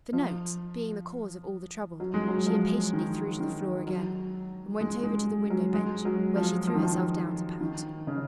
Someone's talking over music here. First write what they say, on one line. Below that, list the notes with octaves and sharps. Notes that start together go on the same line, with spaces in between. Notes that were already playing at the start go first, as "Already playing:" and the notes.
The note, being the cause of all the trouble, she impatiently threw to the floor again, and went over to the window bench, where she threw herself down to pout.
F3
F#3
G#3
F#3
F3
D#3
D#3
F#3
G#3
G#3
F#3
G#3
F#3
F3
F3
D#3
F3
D#3
C#3